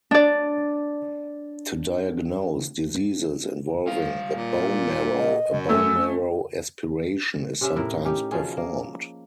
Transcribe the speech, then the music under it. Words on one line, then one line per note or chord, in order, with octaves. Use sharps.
To diagnose diseases involving the bone marrow, a bone marrow aspiration is sometimes performed.
D4 D5
G3 F4 F5
A#2
D#5
F#2
A3 C#4 E6
C3 C#4 E5
A2 E4 A#4
C#4 D#4 G4
B2 F3 C#4 G#4
A#3